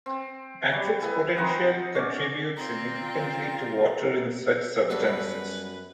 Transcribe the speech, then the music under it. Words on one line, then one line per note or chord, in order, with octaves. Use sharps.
Matrix potential contributes significantly to water in such substances.
C4
F#3 G3
G3
B3 E4 G#5
C4 D#4 D#5 F#5
C#4 D5
C4 F4 D5 G5 A#5
F#2 G3 B3 F#4 A4 B4